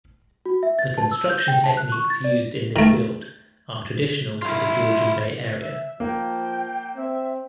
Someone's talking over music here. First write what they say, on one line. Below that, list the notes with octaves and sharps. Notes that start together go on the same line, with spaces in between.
The construction techniques used in this build are traditional to the Georgian Bay area.
F#4
E5
A6
A5
E6
G6
G5
A5
F#6
C#6
A6
D5
D#3 A3
E4 F4
E5
F3 A#3 G5
C4 E5